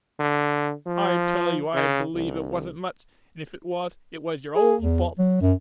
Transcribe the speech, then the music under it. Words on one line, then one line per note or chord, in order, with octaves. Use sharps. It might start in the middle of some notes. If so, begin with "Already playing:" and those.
I tell you I believe it wasn't much, and if it was, it was your own fault.
D3
F3
C#3
C2
G#4
E2
F#3
F#2